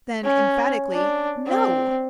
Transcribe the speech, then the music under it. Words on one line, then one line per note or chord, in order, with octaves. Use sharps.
Then, emphatically, "No!"
C#4
D4
C4